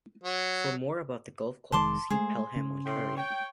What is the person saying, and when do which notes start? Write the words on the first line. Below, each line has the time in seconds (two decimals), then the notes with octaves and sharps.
For more about the golf club, see Pelham, Ontario.
0.23 F#3
1.72 F1 D#3 G#3 A5 C6 D6
2.10 G#3 A3 G#4 C5
2.56 C#3 C#4
2.85 A2 G5 C6
3.17 C#5 G5